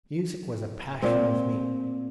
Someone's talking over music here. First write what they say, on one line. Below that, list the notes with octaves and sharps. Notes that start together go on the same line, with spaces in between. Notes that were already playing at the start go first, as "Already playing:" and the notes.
Music was a passion with me.
A#2 C4